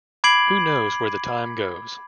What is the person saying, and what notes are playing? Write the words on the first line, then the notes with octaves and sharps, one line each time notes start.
Who Knows Where the Time Goes?
B5 D6 G#6 C7 D7 F#7